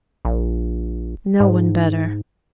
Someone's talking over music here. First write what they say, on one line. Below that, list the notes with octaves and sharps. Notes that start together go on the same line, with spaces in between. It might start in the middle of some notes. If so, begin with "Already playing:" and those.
No one better.
A#1
G#2